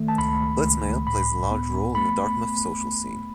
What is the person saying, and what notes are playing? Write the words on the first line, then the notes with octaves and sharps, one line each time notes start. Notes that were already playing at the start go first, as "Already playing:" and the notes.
BlitzMail plays a large role in the Dartmouth social scene.
Already playing: D#3 A3
A5
C#2 B5
C#2
A2 B5
B3
A3 B5